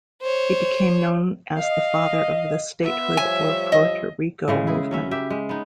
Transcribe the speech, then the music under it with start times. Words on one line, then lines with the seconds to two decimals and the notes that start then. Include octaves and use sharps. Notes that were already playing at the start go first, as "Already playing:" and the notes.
He became known as the father of the statehood for Puerto Rico movement.
0.22 C5 C#5
1.58 D#5 F5
2.84 B3 F4 E5
3.17 F3 G3 C#5 G#5
3.72 D#5
4.48 A2 C#3 G#3
4.67 E4 G#4
4.91 F#3 C#4 E5
5.11 G4 E5
5.30 G#3
5.49 B3 D#4